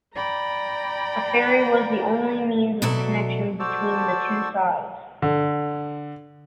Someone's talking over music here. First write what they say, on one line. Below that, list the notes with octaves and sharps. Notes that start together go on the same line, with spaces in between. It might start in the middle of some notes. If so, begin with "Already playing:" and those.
A ferry was the only means of connection between the two sides.
D5 G5 A#5 B5 A#6
B2 F#3 A4 D5 E5
F#4 A4 C5 D5 A5 E6
D3